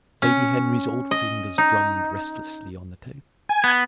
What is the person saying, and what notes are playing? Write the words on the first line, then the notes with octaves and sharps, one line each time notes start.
Lady Henry's old fingers drummed restlessly on the table.
C#4
D#5
D#4
G#5
B3